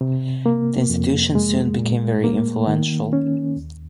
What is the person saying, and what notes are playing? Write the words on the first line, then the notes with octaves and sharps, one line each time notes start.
The institution soon became very influential.
C3
A#3
F2
G#3
A#2
A#3
D#3
C#4
D#2